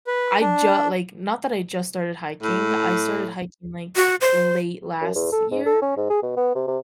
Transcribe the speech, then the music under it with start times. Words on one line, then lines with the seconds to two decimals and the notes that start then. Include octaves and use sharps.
I ju like, not that I just started hiking, I started hiking like, late last year,
0.07 B4
0.41 D4
2.43 A2
3.96 F#4
4.21 C5
5.01 F#2
5.15 E2
5.32 A4
5.51 G#2
5.66 A4
5.81 C#4
5.97 G#2
6.10 G#4
6.22 B2
6.37 B3
6.55 C3
6.67 C3